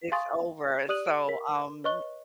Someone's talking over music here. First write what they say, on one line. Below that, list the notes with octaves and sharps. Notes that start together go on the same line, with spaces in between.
it's over. So, um,
F5 G#5 C6 C#6 D#6 A6
G4 D5 D#6 F#6 D#7 F#7
D7
A#4 B6
B4 C#5 D#5 C#6 F#6 G7